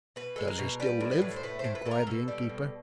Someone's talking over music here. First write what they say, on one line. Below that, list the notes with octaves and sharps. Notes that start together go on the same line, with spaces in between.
"Does he still live?" inquired the innkeeper.
B2 B4
G#3 A4
A#4
B2
G3 B4
A2
B4
A2
C5
A3 B4
C5
A2
B4
A2 A4
A#4
B2 A4
G3
B2